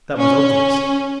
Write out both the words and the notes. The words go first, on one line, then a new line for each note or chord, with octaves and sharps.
That was obvious.
C#4